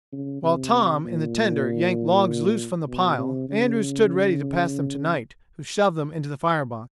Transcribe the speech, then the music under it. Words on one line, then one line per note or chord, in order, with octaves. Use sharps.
While Tom, in the tender, yanked logs loose from the pile, Andrews stood ready to pass them to Knight, who shoved them into the fire-box.
C#3
C3
A#2
B2
C3
C#3